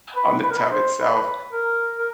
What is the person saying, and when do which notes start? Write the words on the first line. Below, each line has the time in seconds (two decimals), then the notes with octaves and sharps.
on the tub itself
0.16 B4
0.43 B4
0.50 A#4
0.57 B4
0.70 C5
0.99 B4
1.53 A#4
1.99 A#4